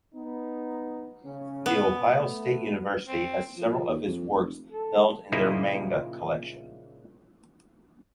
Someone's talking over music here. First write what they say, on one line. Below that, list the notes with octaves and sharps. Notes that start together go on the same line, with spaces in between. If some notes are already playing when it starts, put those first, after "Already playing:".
The Ohio State University has several of his works held in their Manga Collection.
B3 D#4
C#3 C#4
B3
A3
C4
F3
D#2
F2
F1
A4
A#2 C#3 F3 A#3 D#4 E4